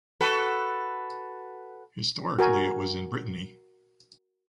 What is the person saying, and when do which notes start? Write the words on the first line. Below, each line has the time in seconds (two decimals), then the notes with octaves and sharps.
Historically it was in Brittany.
0.21 F#4 A4 B4
2.39 F#4 A#4 G#5